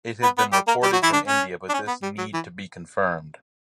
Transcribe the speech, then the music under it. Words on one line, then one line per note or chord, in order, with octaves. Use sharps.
It has been reported from India but this need to be confirmed.
B3 B4
B3 B4
G3 G4
A#3 A#4
G3 G4
F#3 F#4
E3 E4
D3 D4
C#4
D4
C#4
B3
G3
F#3
E3